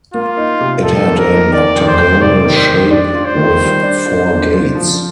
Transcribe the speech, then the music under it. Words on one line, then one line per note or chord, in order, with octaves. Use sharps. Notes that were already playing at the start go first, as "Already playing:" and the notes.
It had an octagonal shape with four gates.
A#3 F4
D#4
C3
F3 A4
A#3
A#4
D#4
D#3 D5
F2
C5
F2
C3 D5
D#3
C5
F2
D4 D5
F4
C5
D#3
G3
D4
F4
D4
F4
F3